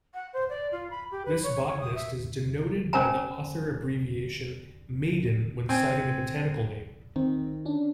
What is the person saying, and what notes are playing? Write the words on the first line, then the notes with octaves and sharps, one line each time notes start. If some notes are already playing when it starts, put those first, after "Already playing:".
This botanist is denoted by the author abbreviation Maiden when citing a botanical name.
F#5
C5
D5
F4
B5
G4
B4
C#5
C#5
D#6
E5
C#4 A#4 C5 G#5 A#5
C4 G#5
D#3 C4
C#4 D4